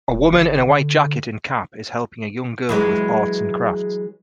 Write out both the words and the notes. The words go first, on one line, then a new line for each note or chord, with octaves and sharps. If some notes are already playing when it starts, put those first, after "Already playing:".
A woman in a white jacket and cap is helping a young girl with arts and crafts.
E1
G1
D3
E3 F#3 G#3